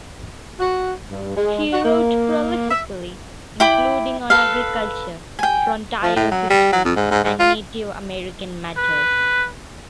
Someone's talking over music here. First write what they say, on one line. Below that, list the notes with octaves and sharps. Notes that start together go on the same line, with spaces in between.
He wrote prolifically, including on agriculture, frontier history and Native American matters.
F#4
G2
G#3
F#4
A#3
E5
E4 G5 B5 D6
A4 B4 F5
G5 G#5
F3
A2
F#3
G3
F#3
F2
G#2
G#2
G#2
F4
B4